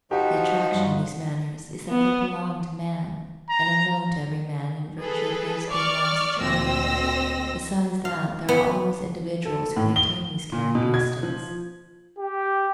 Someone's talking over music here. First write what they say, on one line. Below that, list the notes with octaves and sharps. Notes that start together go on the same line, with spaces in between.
The attraction of these manners is that they belong to man, and are known to every man in virtue of his being once a child; besides that there are always individuals who retain these characteristics.
F3 D#4 F#4 G4
G2
B3
A#5
G#4 A4 B4
D5 C#6 D6 F6
D2 A#2 C4 D#5 E6 A#6
F5
B3
A4
A2
G7
A#2
B2
G#6
F3
G4